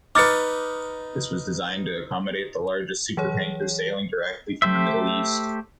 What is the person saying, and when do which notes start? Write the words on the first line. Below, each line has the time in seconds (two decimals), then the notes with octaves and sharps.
This was designed to accommodate the largest supertankers sailing directly from the Middle East.
0.15 D#4 B4 D6 F6 A6 C#7
3.17 E3 F#3 G#4 C#5
4.62 A3 G4 C5 E5